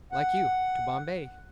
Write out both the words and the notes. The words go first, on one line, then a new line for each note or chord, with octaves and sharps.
"Like you, to Bombay."
F#5